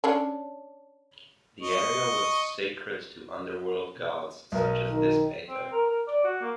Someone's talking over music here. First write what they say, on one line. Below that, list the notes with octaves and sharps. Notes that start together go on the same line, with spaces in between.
The area was sacred to underworld gods, such as Dis Pater.
C#4 D4 C#5
D#5 C#6
B1 A#4
D#3
C4
A#4
A#4
D5
F#4
A#3